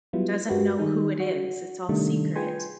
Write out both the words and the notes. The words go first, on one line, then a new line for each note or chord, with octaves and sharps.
doesn't know who it is, it's all secret,
F#3 G3 B3 E4 F4
G2 G#3 F#4 G4 A#4 B4
D#3 G3 D#4 G#4
F#4
C3 D#3 G3 A3 D4
F4 G#4 B4 G5 G#5 C6